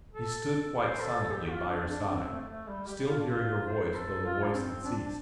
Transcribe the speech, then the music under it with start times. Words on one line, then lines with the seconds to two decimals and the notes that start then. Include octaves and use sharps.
He stood quite silently by her side, still hearing her voice though the voice had ceased.
0.13 A4
0.72 C5
1.02 A4
1.31 G4
1.50 F4
1.70 D4
1.90 D4
2.03 D4
2.09 C4
2.29 A3
2.48 A3
2.68 G3
2.88 G4
3.08 F4
3.19 D4
3.30 F4
3.67 C5
3.95 A4
4.26 F4
4.45 D4
4.54 C4
4.85 D4